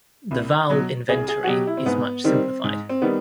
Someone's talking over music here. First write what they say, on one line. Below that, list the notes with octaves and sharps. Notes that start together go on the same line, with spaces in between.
The vowel inventory is much simplified.
C2
B2 F#3
C2 G#4
G#4
F#4
B2 F#3 G4
E4
C4
G#2 B3
D#3 G3 C4
G#2
C4
D#3 G3 B3